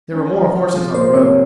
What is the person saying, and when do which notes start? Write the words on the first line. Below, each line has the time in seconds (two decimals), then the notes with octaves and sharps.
There were more horses on the road.
0.13 C#4
0.34 F3
0.54 F3
0.74 F3
0.95 A#3 C5
1.15 C3 C#5